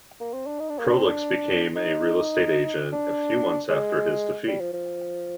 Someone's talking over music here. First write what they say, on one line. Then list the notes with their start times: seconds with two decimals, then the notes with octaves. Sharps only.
Proulx became a real estate agent a few months after his defeat.
0.21 A#3
0.33 C4
0.47 D4
0.59 D#4
0.69 D4
0.79 A#3
0.89 D4
0.98 C4
1.07 D4
1.76 D#4
2.93 D4
3.70 G#3
4.48 G3
4.61 F3
4.73 F3